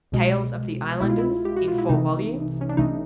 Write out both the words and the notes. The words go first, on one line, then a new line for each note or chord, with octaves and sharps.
Tales of the Islanders, in four volumes.
C2 B2 G#3
C2 B2 G#3 E4
F4
E4
G4
F#4
F4
E4
C2 C3 E3 A3 D#4
C#4
D4
C2 C3 E3 A3 D#4